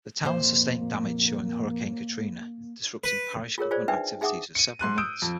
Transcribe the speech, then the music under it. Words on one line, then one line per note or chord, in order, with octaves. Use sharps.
The town sustained damage during Hurricane Katrina, disrupting parish government activities for several months.
F2 A#2 A#3 C5
B4
F4 G#4 A#4 C#5
F4 G#4 C5 D5
D4 D#4 B4 E5 G5
D#4 G#4 E5 F#5 D6 D#6
C#7 D#7
G#2 C6 F#6 D#7
D#6 E6 G6 D7
F2